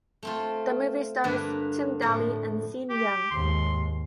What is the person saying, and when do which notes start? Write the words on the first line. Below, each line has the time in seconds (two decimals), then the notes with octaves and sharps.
The movie stars Tim Daly and Sean Young.
0.23 A3 C4 F4
1.24 G2 D3 A#3 B4
2.02 F2 A2
2.90 G4
3.31 D#2 G#2 C6